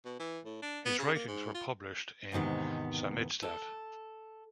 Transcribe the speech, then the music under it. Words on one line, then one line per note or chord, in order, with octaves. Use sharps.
His writings were published in samizdat.
B2
E3
A2
D4
B3
C#3
A#3
G#2
F4
E2 G#2 C3 D#3 B3
A4